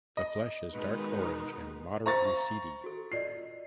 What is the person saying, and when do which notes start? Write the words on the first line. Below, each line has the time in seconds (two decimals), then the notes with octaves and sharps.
The flesh is dark orange and moderately seedy.
0.17 D#5
0.74 B2 D#3 G#3 D#4 B4
2.06 C5 E5 F5 A#5 C#6 A6
2.84 F#4 A4
3.12 F4 D5 D#5 C7